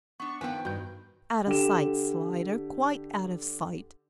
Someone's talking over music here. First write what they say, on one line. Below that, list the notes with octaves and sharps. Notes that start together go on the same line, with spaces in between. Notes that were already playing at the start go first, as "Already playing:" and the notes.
Out of sight, Slider, quite out of sight.
B3 D4 C#6
D#3 F3 B3 B4 C5 G5 G#5
G2 D#3 F#4 G6
D3 G4 E7